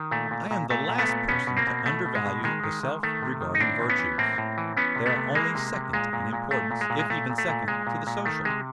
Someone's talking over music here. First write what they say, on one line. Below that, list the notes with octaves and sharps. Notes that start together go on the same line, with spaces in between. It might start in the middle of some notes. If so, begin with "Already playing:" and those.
I am the last person to undervalue the self-regarding virtues; they are only second in importance, if even second, to the social.
Already playing: D#3
A#2 A3
A#2
A#2
A#2 A3
A#2
A3 B3
A#2
B2 B3 C#4
B2
A#3 C4
B2
B2 A3
B2
G#3
B2
D#3 G#3
D#3
D#3
D#3 A3
C3
D#3
D#4
A2 C4 D4
E3
B3 C#4
E3
A2 A#3 C4
A2
E3
E3 B3 C#4
C3
A3 B3
C3
E3 G#3 A#3
C3
C3
A#2 G#3
A#2
A#2
A#2 A3
A#2
G#3
A#2
G#3
A#2 A3
A#2
A3
A#2
A#2 G#3
A#2
A#2
D#3 A3
C3 G#3